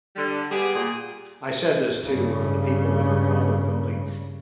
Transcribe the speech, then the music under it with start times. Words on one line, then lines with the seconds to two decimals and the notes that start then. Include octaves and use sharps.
I said this to, uh, the people in our condo building,
0.16 D3 G3
0.51 G3 B3 G4 G#4
0.75 A#2 G4 G#4
2.04 G2 C#3